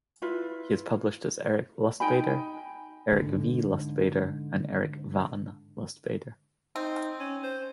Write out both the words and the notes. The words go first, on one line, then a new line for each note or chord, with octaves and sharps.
He has published as Eric Lustbader, Eric V. Lustbader, and Eric Van Lustbader.
E4 F4 B4
D#4 G5 G#5 B5
G#2 D3
C4 D#4
C#4
C5